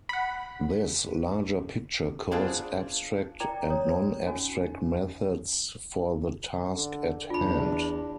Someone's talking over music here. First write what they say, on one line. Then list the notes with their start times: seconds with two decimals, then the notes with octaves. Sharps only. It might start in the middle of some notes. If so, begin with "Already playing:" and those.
This larger picture calls abstract and non-abstract methods for the task at hand.
0.09 F#5 B5
2.31 B3 D4 F4 G#4 C5
3.40 E4 A#4 D5 G5 A#5 D6
3.70 C#5 A#5 D#6
4.27 C#4 D#4 F#4 G#5
6.73 D3
7.30 E2 D4 F4 B5